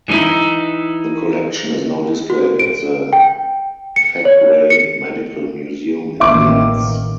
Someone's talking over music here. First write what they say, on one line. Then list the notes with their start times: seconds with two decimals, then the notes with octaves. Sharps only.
The collection is now displayed at the Thackray Medical Museum in Leeds.
0.08 E3 G3 A#3 D#4 E4
2.30 F#4
2.59 D7
3.13 G5
3.96 C#7
4.25 C#5
4.70 C#7
6.20 A1 D#3 A#3 E5 D6